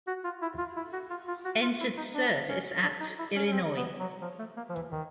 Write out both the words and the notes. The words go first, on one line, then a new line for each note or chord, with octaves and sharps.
Entered service at: Illinois.
F#4
F4
E4
F4
E4
F#4
F4
F4
F#4
F4
E4
D#4
D4
C#4
D4
D#4
E4
C#4
C#4
C4
B3
F#3
F3
A3
A#3
F3
E3
D#3